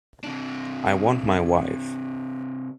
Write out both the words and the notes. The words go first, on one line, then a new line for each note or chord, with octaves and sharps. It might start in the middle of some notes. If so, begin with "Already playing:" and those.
I want my wife.
C3 D4